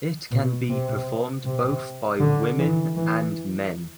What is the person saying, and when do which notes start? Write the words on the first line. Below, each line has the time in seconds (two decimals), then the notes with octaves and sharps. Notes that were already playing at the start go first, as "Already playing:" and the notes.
It can be performed both by women and men.
0.31 B2
0.69 C3
1.45 C3
2.20 D3
2.59 E3
2.96 E3